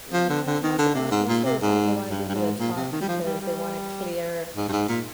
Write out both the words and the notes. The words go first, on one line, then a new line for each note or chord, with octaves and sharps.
No, most of most of the time they wanna give you the talk because they wanna clear
F3
D3
D3
D#3
D3
C3
G#2
A#2
C3
G#2
G2
G2
G#2
A#2
C3
D#3
G3
F3
G3
G3
G#2
G2
G#2
A#2